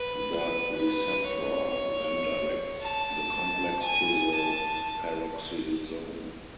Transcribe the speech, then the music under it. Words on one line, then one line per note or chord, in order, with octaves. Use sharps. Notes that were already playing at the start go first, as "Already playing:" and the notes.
The receptor then directs the complex to the peroxisome.
Already playing: B4
B4
C#5
A5
G#5
A5